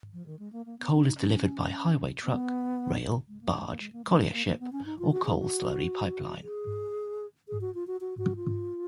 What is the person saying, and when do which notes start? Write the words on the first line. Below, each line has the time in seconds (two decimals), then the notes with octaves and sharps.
Coal is delivered by highway truck, rail, barge, collier ship or coal slurry pipeline.
0.13 F3
0.26 D#3
0.39 G#3
0.53 A#3
0.66 A#3
0.79 B3
0.92 C#4
1.05 D#4
1.18 C#4
2.24 B3
3.28 G#3
3.41 A#3
3.54 G#3
3.67 A#3
3.80 G#3
3.92 A#3
4.05 G#3
4.33 A#3
4.46 A#3
4.60 B3
4.73 C#4
4.86 D#4
4.99 F4
5.12 F#4
5.25 G#4
5.38 F#4
6.43 G#4
7.48 G#4
7.61 F#4
7.75 F4
7.87 F#4
8.01 F#4
8.18 F#4
8.36 F4